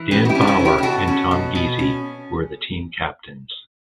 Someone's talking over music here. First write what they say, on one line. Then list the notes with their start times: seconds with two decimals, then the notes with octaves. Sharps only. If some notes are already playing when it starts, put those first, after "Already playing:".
Dan Bauer and Tom Gizzi were the team captains.
Already playing: E3
0.11 C#3 G4 B4
0.25 F#4
0.29 E4 G4
0.35 C#4
0.41 D4
0.47 C#4 E4
0.59 C#3
0.65 E4 G4
0.78 G4
0.83 B2 F#4 A4
1.07 C#4
1.31 B2
1.55 B2
1.79 C#4